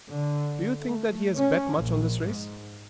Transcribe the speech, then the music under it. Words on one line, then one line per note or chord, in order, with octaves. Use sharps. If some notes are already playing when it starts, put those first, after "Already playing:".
"Do you think that he has bet much on this race?"
D3
A3
C#4
A#1
G#2